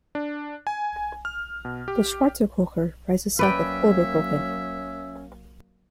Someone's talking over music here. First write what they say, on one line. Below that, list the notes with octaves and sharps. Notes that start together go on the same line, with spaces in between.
The Schwarzer Kocher rises south of Oberkochen.
D4
G#5
F6
B2
G4
F#3 A#3 C#4 B4 D5 E5 G5